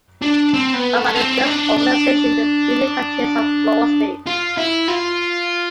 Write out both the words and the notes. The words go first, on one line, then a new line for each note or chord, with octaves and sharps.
Owned by the Durst Organization, the building contains of floor space.
D4
C4
B3
A3
C4
D4
D4
F4
E4
F4